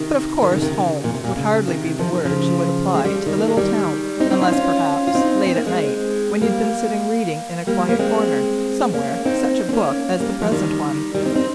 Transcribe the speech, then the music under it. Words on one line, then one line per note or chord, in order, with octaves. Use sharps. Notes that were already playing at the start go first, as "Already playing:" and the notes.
But of course "home" would hardly be the word you would apply to the little town, unless perhaps, late at night, when you'd been sitting reading in a quiet corner somewhere such a book as the present one.
Already playing: C3 D#3
D#3
C#3
C3 D#3
C#3
A#2
C3
A#2
C#3
C3 D#3
F3
D#3
C#3 F3
G#3
G3
F3
D#3 G3
A#3
G#3
D#3 G3
C4 D#4
C4 D#4
C#4 F4
D#4
C#4 F4
F4
C4 D#4
C4
A#3
G#3 C4
G3 A#3
G3 A#3
A#3
G#3 C4
A#3 C#4
C4 D#4
C4
A#3 C#4
G3 A#3
F3
D#3 G3
D#3 G3
C4 D#4
C4 D#4